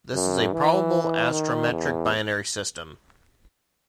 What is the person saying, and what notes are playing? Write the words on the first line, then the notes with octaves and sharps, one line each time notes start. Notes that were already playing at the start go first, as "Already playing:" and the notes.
This is a probable astrometric binary system.
F#2
E3
D#3
E2